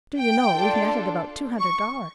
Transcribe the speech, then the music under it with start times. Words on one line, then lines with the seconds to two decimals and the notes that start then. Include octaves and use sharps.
Do you know, we've netted about two hundred dollars.
0.18 G5
0.52 D4 F4 A4
1.59 C#6